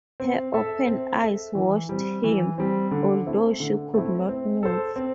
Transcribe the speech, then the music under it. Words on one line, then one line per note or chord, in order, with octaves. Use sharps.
Her open eyes watched him, although she could not move.
C4
A4 E5
C4
A4 E5
E3
G3 C4
E3
G3 C4
D3
A3 C4 E4
D3
A3 C4 E4
C4
A4 C5
C4